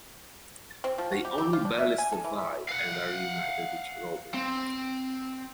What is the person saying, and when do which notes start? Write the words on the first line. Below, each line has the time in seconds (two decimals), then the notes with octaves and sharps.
They only barely survive and are reunited with Robyn.
0.84 C4
0.98 F3
1.12 F#4
1.25 G4
1.38 G4
1.53 F4
1.65 D4
1.79 E5
1.98 G#5
2.12 A4
2.24 E3
2.39 E5
2.69 F5 F#5
4.34 C4